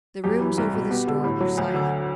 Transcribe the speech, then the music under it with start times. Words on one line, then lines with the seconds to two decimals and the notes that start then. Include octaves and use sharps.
The rooms over the store were silent.
0.24 F#2 G4
0.40 E3
0.58 C2
0.73 B2
0.91 B3 G4
1.08 D3
1.24 A2
1.41 F#3
1.57 D2
1.74 D3